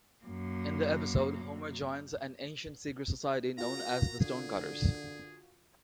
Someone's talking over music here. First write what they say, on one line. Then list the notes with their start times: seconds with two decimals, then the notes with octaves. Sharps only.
In the episode, Homer joins an ancient secret society known as the Stonecutters.
0.24 F#2 A#3
3.58 F4 F#4 A#4 A#5
4.20 D3 G#4